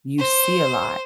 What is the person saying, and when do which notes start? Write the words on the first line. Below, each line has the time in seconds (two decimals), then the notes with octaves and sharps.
you see a lot,
0.19 C5